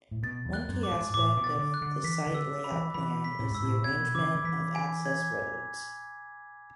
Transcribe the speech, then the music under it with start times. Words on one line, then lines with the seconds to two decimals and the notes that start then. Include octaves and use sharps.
One key aspect of the site layout plan is the arrangement of access roads.
0.11 A2
0.23 B2 A6
0.45 E2
0.53 F#6
0.68 F#2
0.83 D6
0.91 G#2
1.14 A2 D6
1.37 B2
1.44 A6
1.59 D3
1.74 F#6
1.82 D3
2.04 E3 B6
2.27 D3
2.34 E6
2.64 B5
2.72 E3
2.94 E3 B5
3.24 B6
3.39 A2
3.51 G#2 E6
3.64 A2
3.84 B2 G#6
4.15 C#3 D6
4.35 D3
4.44 E3 B6
4.75 G#5
5.05 G#6